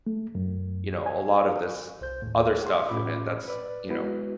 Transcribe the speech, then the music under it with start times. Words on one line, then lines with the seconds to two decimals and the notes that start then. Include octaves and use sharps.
you know, a lotta this other stuff in it that's, you know.
0.07 A3
0.35 F#2
1.06 G#5
2.01 C2 C5 G6
2.22 D#2 A2
2.62 F#5 C6
2.89 A2 C#4 F4 B5 D6
3.48 B4 D5
3.89 G#3 B3 E4 F#4 B4